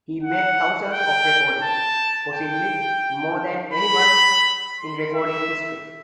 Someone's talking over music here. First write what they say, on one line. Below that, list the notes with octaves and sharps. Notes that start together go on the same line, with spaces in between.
He made thousands of recordings, possibly more than anyone in recording history.
F#5
G5
A5
G5
B5
C6
E5